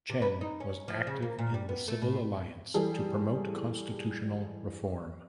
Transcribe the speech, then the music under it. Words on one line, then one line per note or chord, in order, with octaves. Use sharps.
Chen was active in the Civil Alliance to Promote Constitutional Reform.
C3
B4
D#4
C#4
F3
C#3
A#3
A#2
G3
B3
A3
A2
E3 G3 G#4 A4